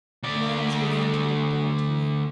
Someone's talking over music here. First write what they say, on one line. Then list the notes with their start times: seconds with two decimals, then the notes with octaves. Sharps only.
Matters began to look dark to me.
0.23 D2 D5